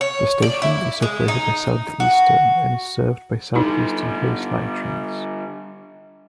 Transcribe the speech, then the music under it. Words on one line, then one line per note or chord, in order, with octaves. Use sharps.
The station is operated by Southeastern and is served by Southeastern Hayes line trains.
C#5
D5
E4
G#3
D#4
F#4
D3 G3 D#4 E4